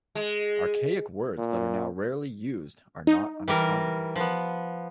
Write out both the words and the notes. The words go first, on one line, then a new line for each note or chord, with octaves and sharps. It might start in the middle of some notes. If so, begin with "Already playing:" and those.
Archaic words that are now rarely used are not uncommon.
G#3
A#2
D#4
E3 G3 A#4
F3 B3